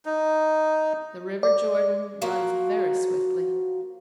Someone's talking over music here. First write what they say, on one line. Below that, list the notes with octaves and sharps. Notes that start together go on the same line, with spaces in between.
The River Jordan runs very swiftly.
D#4
D5
F3 F#3 A#3 F#4